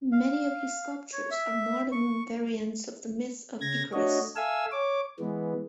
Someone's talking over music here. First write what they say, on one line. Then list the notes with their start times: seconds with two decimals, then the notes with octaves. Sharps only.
Many of his sculptures are modern variants of the myth of Icarus.
0.12 F5
1.13 C#5
1.31 E5
1.92 C#6
3.61 C#3 G#6 A#6
3.93 A3 D4 F#4 C#5 D#5
4.36 A4 E5 F5 G#5 E6
4.72 C#5 D6
5.19 E3 G#3 B3